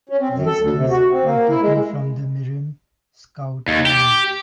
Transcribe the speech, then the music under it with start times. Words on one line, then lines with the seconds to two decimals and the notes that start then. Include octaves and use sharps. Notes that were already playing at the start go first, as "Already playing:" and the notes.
These keys are taken from the Mirim Scout Manual.
0.09 C#4
0.20 C4
0.33 F#2
0.46 A4
0.59 D2
0.76 C3
0.90 F#4
1.12 C4
1.24 A#3
1.49 E4
1.62 G#3
3.68 D#2
3.87 G4